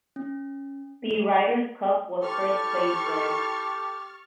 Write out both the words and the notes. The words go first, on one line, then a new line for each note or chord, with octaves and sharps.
The Ryder Cup was first played there.
C#4
E4 G4 A4 C#6 F6 A6